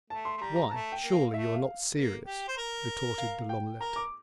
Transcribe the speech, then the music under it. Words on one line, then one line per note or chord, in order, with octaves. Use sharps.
"Why, surely you are not serious," retorted De L'Omelette.
A3 A5
C6
A3
G3 A#5
A#5
A3 A5
G5
A#3
F5
A3 E5
F5
A#3
G4
C5
A#4
F5
G5
A#4 A#5
D6